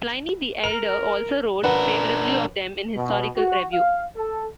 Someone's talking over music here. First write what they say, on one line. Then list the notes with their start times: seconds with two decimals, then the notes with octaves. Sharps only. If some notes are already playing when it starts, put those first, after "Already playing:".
Pliny the Elder also wrote favourably of them in historical review.
0.64 A#4 F7
1.64 F#2 D4 A#4 B4 F#5
2.97 B2
3.37 F#4
3.73 F5
4.17 A4